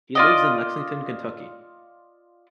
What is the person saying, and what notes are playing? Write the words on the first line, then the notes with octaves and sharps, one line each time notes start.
He lives in Lexington, Kentucky.
F4 D5 D#5